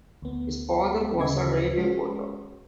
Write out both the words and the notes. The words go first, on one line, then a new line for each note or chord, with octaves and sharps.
His father was a railway porter.
D2 B3
D2 C#3 D#5 G#6
G#3 C#4 F#4